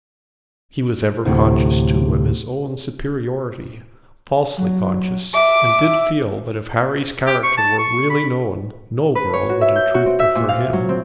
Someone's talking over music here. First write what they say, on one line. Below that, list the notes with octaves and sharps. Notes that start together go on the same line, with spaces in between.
He was ever conscious, too, of his own superiority,--falsely conscious,--and did feel that if Harry's character were really known, no girl would in truth prefer him.
D2 A2 C3
F#3
E5 D6
G4
C#6
A5
C#6
B5
B4
C#5
F#4
E5
G6
F#4
C4
E5
A#2
F5
F#3
C4